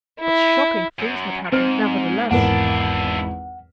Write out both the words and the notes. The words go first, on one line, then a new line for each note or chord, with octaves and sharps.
But shocking things had happened, nevertheless!
E4
F#2
G#2 C4 C5 F6
G#1 E2 D4 E4 A#4 F#5